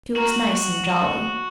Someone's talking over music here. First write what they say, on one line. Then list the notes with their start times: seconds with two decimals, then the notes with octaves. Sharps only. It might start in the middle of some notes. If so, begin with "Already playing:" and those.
"She looks nice and jolly."
0.16 F#4 A#4